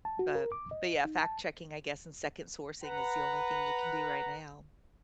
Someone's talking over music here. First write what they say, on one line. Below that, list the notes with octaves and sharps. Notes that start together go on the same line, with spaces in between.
but but, yeah, fact checking, I guess, and second sourcing is the only thing you can do right now,
A5
F#4
A#4
D6
D#5
D#4
A5
B4 F#5 A#5